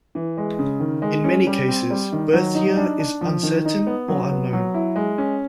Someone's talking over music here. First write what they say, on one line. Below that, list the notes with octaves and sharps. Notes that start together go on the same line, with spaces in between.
In many cases, birth year is uncertain or unknown.
E3
G#3
C#3
D#3
G#3
C#4
G3
C4
G3
D#3
F#3
D#4
D4
D4
F3
D#3
D#4
B3
F#3
B3
F#3
E4
G#3
C#4